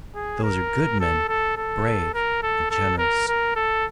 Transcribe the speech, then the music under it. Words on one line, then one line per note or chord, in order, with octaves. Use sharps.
"Those are good men, brave and generous."
G#4
A#4
A4
A4
A4
A#4
A4
A4
A#4
A#4
A4